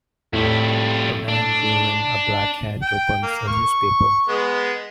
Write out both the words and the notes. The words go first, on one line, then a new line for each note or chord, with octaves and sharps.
A man wearing a black hat opens a newspaper.
F2 A2 G3
D4
G5
A#3
C#6
G#3 B3